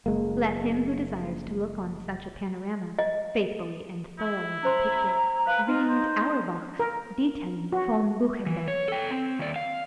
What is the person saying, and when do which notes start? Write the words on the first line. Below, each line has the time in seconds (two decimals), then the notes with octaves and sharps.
Let him who desires to look on such a panorama, faithfully and thoroughly depicted, read Auerbach's "Diethelm von Buchenberg."
0.06 F#1 G#3 A#3
2.99 D#5
4.19 E4
4.63 C#4 C5 A#5 C6
5.47 B4 F5 G#5
5.67 D#4 F4
5.89 C5
6.80 A#4
7.72 F#4
8.47 E3
8.68 C#5
8.88 A4 G5
9.10 C4
9.39 D#2 D5
9.56 F5